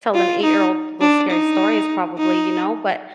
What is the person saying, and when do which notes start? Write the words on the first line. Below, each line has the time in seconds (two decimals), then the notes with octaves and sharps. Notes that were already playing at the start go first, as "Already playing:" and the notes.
tell an eight-year-old those scary stories probably, you know, but,
0.14 F4
0.43 D#4
1.01 D4
1.30 D#4
2.18 D#4